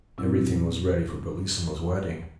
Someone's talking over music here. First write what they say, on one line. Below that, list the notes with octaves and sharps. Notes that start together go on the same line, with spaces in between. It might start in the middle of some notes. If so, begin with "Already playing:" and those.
Everything was ready for Bellissima's wedding.
A#2 F#3 C4 E4 E6